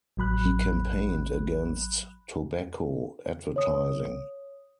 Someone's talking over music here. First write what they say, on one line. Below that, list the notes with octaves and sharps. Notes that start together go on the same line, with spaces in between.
He campaigned against tobacco advertising.
A1 F#3 B5 F#6
C#5 D#6